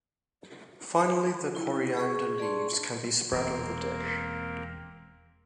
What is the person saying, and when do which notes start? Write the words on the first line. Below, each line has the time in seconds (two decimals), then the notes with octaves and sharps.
Finally the coriander leaves can be spread on the dish.
1.55 E4
1.97 G#4 C#6
2.38 G#4 D5 A5 C6
3.32 E1 A#3 C4 A#4